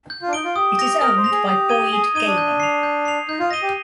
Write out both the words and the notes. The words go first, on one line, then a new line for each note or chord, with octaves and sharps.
It is owned by Boyd Gaming.
G6
F4
D4
D#4 D7 G7
F4
G4 D#6
A#6 F7
A#4 D#6
C5
A#6 F7
G#4
G4 D#6
G#6 D#7 G7
G#4 D#6
D#4 G#6 D#7 G7
D4
G6
C7 F7
G6
C7 F7
D#4 G6
F4
D#5 A#6 D#7 G7
G4